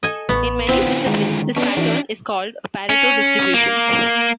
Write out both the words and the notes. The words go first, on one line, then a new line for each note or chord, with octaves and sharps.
In many disciplines this pattern is called a Pareto distribution.
A4 D#5 G#5
A1 B3 C#6
D3 B3 C4 E4 F4 B4 F#5
D#3 G#3
B3 C#4 D4
E3 D#4 F#4 E5
C#4
A#3